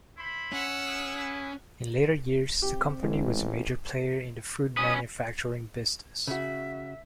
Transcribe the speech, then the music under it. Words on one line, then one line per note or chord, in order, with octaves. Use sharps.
In later years the company was a major player in the food manufacturing business.
E4 C5 B5
C#4 F#5 E6
E4 G#4 B4
C4 G4
A1 E3 G#3
C#4 B4 D#6
C#3 F#4 E5